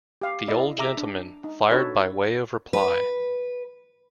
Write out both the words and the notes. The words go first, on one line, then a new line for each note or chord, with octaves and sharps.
The old gentleman fired by way of reply.
G4 F5
E4 D5 D#5
G#4 E5 A#5 D6 E6
D4
D#4
D4 D#4 F#4 A4 B4 C#5
B4